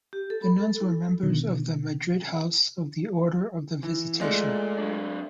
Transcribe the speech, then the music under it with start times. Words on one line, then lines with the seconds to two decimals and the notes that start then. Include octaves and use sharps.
The nuns were members of the Madrid House of the Order of the Visitation.
0.13 G4
0.30 A4
0.42 B5
0.58 A4
0.80 E4
1.23 B2 D3 D#3
3.83 E3
4.21 G#3 A3 F4 D5
4.78 F#3 D4